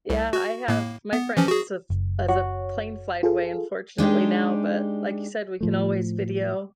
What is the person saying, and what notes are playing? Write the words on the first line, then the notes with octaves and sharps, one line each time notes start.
Yeah, I have my friend is a f as a plane flight away, unfortunately now, but like you said, we can always video.
C2
F#4
A2 A#3
B3
E3 F3 C#4
F#4 G#4
F#1
F#4 C#5
F4 G#4 A4
G#3 D4 D#4 G4
A2 F3 A3